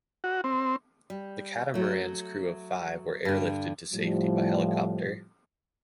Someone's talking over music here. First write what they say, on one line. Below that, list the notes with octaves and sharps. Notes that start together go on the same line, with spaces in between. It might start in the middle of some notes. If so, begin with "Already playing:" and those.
The catamarans crew of five were airlifted to safety by helicopter.
F#4
C4
G3
F#3 A3
G2 D3
A2 F3 G3